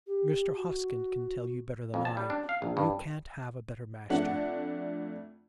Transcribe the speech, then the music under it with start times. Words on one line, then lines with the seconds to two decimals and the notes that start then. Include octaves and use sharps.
'Mr. Hoskin can tell you better than I. You can't have a better master.'
0.07 G4
0.55 F#4
1.94 F2
2.05 A5
2.17 G3
2.30 D4
2.49 F5
2.62 A#1
2.77 G2
4.10 F2 A3 D4 F#5 F#7